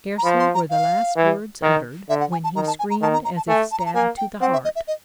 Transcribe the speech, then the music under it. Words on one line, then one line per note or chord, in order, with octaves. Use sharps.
Scarcely were the last words uttered when he screamed as if stabbed to the heart.
A#5
F3 B5
C6
A#5
F5
E3
D#3
D3 E5
F#5
G#5
A5
D#3 A#5
A5
G#5
A#5
D#3 A5
A#5
A#5
A5
A3 G#5
A5
A#5
A5
A#3 G#5
G5
C4 F#5
E5
D#5
E5
D#5